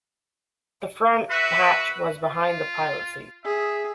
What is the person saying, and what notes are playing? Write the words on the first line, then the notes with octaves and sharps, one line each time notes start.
The front hatch was behind the pilot's seat.
F#4 B4 E5
F4
G#4 E5